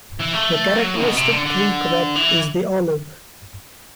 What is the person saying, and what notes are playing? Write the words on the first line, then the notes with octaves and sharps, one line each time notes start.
The characteristic tree crop is the olive.
E3
A3
F#3
B2
C3
D3
D3
E3